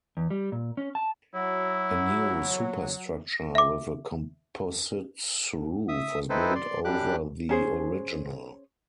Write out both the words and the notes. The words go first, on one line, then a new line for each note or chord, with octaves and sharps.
A new superstructure with a composite roof was built over the original.
E2
G3
A#2
C#4
A5
F#3 E4
E5 D6
E5 D#6
C4 D#4 E4 A4 B4 C5
D5 C6
F#2 G3 D4 G4 D6 F#6
C#4 G#4 C5